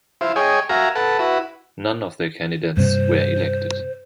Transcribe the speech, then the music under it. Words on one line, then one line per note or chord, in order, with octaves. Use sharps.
None of their candidates were elected.
E4 F4 C5
G#4 C#5 D#5 G5 G#5
F#4 A#4 E5 F5 G#5 A#5
A4 B4 F#5 A5
E4 F#4 B4
G2 C3 C5